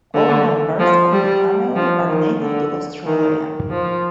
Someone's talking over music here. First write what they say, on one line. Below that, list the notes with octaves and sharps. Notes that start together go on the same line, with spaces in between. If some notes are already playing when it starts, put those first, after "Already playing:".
All members of the family are native to Australia.
D3
F3
G3
F3
D#3
D3
D#3
F3